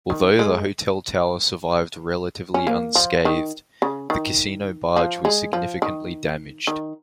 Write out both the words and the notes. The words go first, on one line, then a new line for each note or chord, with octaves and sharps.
Although the hotel tower survived relatively unscathed, the casino barge was significantly damaged.
D#3
G#3
C#4
A#3
F3
D#3
C#3
D#3
F3
G#3
F3
D#3
D#3